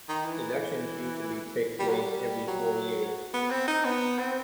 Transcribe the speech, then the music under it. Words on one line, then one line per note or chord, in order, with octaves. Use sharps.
Elections usually take place every four years.
D#3
E3
G3
F#3
G3
F#3
B3
C4
D#4
B3
C4